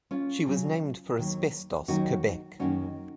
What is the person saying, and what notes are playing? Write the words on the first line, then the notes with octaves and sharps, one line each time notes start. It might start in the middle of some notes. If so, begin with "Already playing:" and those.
She was named for Asbestos, Quebec.
C#4 F4
C#3 F#3 C#4
D#2 D#3 F#3
D#2 D#3 F#3 D#4 F#4
F#2 D#3 A#3 C#4 D#4 F#4